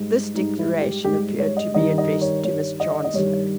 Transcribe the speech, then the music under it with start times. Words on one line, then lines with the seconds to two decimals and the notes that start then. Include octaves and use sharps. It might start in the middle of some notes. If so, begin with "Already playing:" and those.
This declaration appeared to be addressed to Miss Chancellor.
Already playing: G#2 G3
0.35 G#2 G3 D#4
0.59 E4
0.81 G4
1.04 G#2 G3 G4
1.39 C#5
1.57 D#5
1.74 G2 D#3 G3 D#5
1.98 D#5
2.21 C#5
2.44 G2 D#3 G3 C#5
2.80 D#5
3.04 D#5
3.14 G2 D#3 G3 C#5